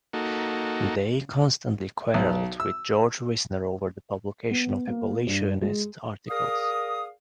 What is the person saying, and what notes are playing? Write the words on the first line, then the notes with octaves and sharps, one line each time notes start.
Day constantly quarreled with George Wisner over the publication of abolitionist articles.
A#3 D#4 F#4 A4
B1
E6
B3
A#3
G2
G#3
G#4 A#4 D5 F5 D#6